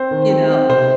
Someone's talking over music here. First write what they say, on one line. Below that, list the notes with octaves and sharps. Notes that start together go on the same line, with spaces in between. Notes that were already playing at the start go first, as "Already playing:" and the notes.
you know
Already playing: C4 C5
D#3
C4
C4
C3 C5